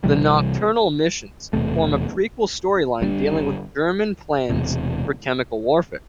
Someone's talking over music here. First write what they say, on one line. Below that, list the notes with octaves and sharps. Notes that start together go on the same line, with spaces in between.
"The Nocturnal Missions" form a prequel storyline dealing with German plans for chemical warfare.
C2 C3 E3 G3
E1 E2 C3 A3
G1 G2 G3 D4
E1 E2 C3